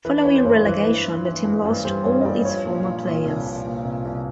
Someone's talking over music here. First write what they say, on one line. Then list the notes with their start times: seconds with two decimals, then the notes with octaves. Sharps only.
Following relegation the team lost all its former players.
0.05 E3 B4
0.25 E3 C#5
0.35 C5
0.45 G2 C#5
0.65 E3 B4
0.85 E3
1.05 E3
1.25 E3
1.45 G2
1.65 G2
1.85 G3 C5
2.05 G2 C#5
2.21 D#5
2.25 G2 D5
2.45 F3 C#5
2.65 A#2
2.85 F3
3.05 A#2
3.25 C2
3.45 F3
3.65 A#2
3.85 C2
4.05 C2